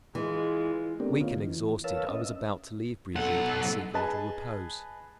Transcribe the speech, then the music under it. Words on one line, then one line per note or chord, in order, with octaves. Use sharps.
Weak and exhausted I was about to leave Brigitte, and seek a little repose.
E3 G#3 F4
A3 B3 C4 D4 G4 A#4
D3 B3 C#4 D#4 F4
E3
A#4 B4 C#5 F5 A5 E6
C#4 D#5 E5
B1 A4 F#5
G#4 B4 D#5 G#5 A5